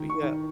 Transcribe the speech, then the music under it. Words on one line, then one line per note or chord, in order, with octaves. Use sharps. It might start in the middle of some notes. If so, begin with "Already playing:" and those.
But yeah
Already playing: D#3
C#6
D#3